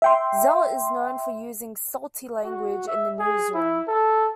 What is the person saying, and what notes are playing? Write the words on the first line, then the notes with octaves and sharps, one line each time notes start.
Zell is known for using "salty" language in the newsroom.
E5 G5 C6
F#4
E5
G#4
E4
A4